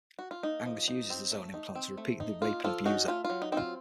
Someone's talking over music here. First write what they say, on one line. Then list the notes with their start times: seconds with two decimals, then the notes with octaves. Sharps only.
Angus uses the zone implant to repeatedly rape and abuse her.
0.19 F#4
0.31 F4
0.43 A#3 D#4
0.65 F3
0.88 D#4
1.10 C4
1.32 A3
1.54 D#4
1.75 C4
1.98 A3
2.20 D#4
2.42 A#3 F4
2.64 F3 F4 A4
2.85 C#4 D#4 F#4
3.07 A3 F4
3.25 F4
3.30 F#3
3.42 D#4
3.52 C4 D#4
3.57 F4